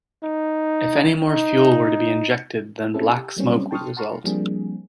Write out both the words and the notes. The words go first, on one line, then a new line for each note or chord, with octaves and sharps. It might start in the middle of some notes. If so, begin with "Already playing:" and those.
If any more fuel were to be injected then black smoke would result.
D#4
D#4
C4 C#4 E4 G#4 A4
G4
F#3 G3 A#3 C4 C#4
G5 A5 C6 C#6 D#6 F6
F#5 A5 A#5 C6 C#6 F6
F3 G3 A#3 C4 D4 G#4